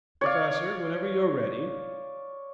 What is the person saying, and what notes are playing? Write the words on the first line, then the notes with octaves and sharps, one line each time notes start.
"Professor, whenever you're ready. . . ."
C#5 D5 F5